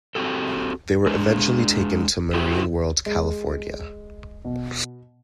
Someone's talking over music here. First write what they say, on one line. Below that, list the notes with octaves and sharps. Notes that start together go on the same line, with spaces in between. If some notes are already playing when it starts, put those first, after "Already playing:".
They were eventually taken to Marine World California.
C4 F#4 G4 A4
G#3 D4 G#4
E4 F#4 G4 C5
G#3
B2